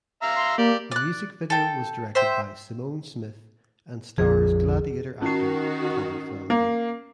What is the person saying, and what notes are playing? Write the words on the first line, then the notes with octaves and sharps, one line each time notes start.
The music video was directed by Simone Smith and stars "Gladiator" actor Tommy Flanagan.
E5 F5 A#5
C6
A#3 G4 D5
D5 F#6
A4 G5
C5 E5 G5
A#1 F2 F3 G#4
D#3 C#4 F#4 C7
A#3